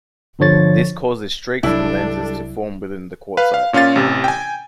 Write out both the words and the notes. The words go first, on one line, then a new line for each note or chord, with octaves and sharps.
This causes streaks and lenses to form within the quartzite.
G1 D3 F3 C#5 A6
C2 F#3 G3 D4 E4 A4
B4 F5
F5
A#2 C#4 F4 F5 A6
A1 C3
G5 G#5